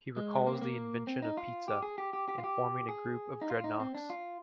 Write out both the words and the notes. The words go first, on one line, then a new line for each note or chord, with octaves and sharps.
He recalls the invention of pizza, informing a group of Dreadnoks.
G#3
A#3
C4
A#3
C4
D#4
F4
G4
G#4
G4
G4
G4
F4
G4
G#4
D#4
F4
D#4
C4
D4
F4